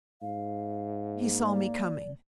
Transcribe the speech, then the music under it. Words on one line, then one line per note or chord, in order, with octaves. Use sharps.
He saw me coming.
G#2 F5
A#3
D5